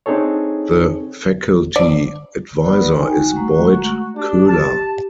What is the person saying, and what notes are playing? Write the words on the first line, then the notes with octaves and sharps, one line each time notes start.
The faculty advisor is Boyd Koehler.
C4 D4 D#4 G#4 A4 C#5
D5
B3 D5
D#4 F#4 G5 G#5
G#3 A3 A#5
D4 G4
A5